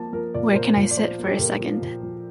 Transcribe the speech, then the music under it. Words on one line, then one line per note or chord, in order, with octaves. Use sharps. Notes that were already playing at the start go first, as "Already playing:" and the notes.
Where can I sit for a second?
Already playing: F3 A#3 A5
F3 A#4
A#2 D5
A#4
A#2 C5
A#2
D5
F3 C5
A#3
G4
A4
A#2 A#4
F3
A#2
F3